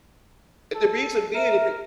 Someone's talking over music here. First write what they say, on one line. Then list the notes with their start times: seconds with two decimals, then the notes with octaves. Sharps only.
and the reason being it b
0.75 A4
1.35 A#4 E5